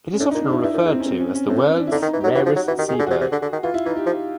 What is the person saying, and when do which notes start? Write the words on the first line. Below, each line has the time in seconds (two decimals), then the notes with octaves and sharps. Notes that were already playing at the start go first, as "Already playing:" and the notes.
It is often referred to as the world's rarest seabird.
0.13 C#4
0.20 A2 D4
0.31 A#2 D#4
0.42 D4
0.49 G#2
0.52 E4
0.63 G2 E4
0.73 F#2
0.85 E2
0.92 C4
1.00 C#4
1.06 C4
1.20 C#4
1.35 C#4
1.49 A2 C4
1.78 D4
1.87 E4
1.92 D3 D#4
2.02 D#3
2.06 D#4
2.13 E3
2.21 F#3 G4
2.35 E3 F#4
2.46 F3
2.56 F#3
2.68 E3 F#4
2.78 D#3 G4
2.89 D#3
2.92 G#4
2.99 D3
3.06 C3 F#4
3.21 C3
3.32 D3
3.42 D3
3.52 D#3
3.63 E3 F4
3.74 E4
3.85 E3 D#4
3.96 G4
4.06 F3